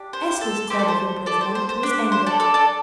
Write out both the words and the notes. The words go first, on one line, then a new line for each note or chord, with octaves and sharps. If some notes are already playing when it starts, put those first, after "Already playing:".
Esther's term of imprisonment was ended.
Already playing: D4 G4
C5
A4
A3 C4 G4 C5
A4 D5
C5
A4 D5
C5
C5
C5
D4 G4
C5
A4 D5
A4 D5
A4 D5